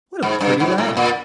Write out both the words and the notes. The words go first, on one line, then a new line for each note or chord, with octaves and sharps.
"What a pretty lad!"
G#2
G2
G#2
A2
A#2